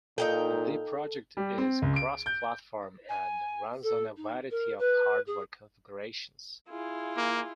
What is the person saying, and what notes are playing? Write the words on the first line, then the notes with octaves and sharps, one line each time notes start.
The project is cross-platform, and runs on a variety of hardware configurations.
A#2 D#4 A4 F5 G5
G3
C4
C#2
D7
G6
G#5
A4
D#4
A#4
B4
G#4
E4 F4 G#4
A#3